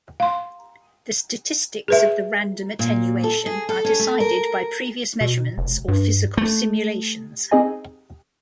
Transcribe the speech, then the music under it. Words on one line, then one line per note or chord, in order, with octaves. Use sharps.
The statistics of the random attenuation are decided by previous measurements or physical simulations.
F5 C6
G#4 B4 E5
A#2
A4
G#4
A4
C#4
A3
A#4
B2
F1
G2
A3
C4 D#4 G#4 D#5 G#5